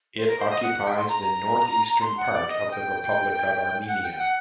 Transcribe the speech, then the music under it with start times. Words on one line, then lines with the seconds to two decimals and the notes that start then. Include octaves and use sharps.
It occupies the northeastern part of the Republic of Armenia.
0.16 C5
0.27 A#4
0.39 C5
0.50 D#5
0.62 F#5
0.85 G5
0.97 C6
1.08 A#5
2.01 C6
2.17 F#5
2.33 D5
2.47 D#5
2.71 G5
3.82 G5
3.88 F#5
4.03 G5
4.18 F#5